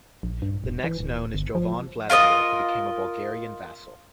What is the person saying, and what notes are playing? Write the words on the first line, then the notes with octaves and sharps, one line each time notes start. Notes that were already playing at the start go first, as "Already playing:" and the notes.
The next known is Jovan Vladimir, who became a Bulgarian vassal.
A#1
G2
D#1
E3
D1
G1
F3
F4 A#4 D5 D#5